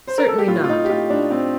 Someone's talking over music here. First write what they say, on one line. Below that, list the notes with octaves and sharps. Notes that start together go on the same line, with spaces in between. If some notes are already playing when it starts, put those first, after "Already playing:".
Certainly not.
C5
A#4
A4
G4
A2 F4
F4
A2 D#4
G4
A2 F4
A2 D4
A2 C4